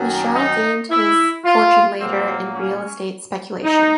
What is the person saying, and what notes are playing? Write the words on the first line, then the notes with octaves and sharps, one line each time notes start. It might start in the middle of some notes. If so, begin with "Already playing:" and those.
Michel gained his fortune later in real estate speculation.
Already playing: F#2 D#3 F#3
D#4
E4
F4
A#2 F#3 A#3 C4
C#4
D#4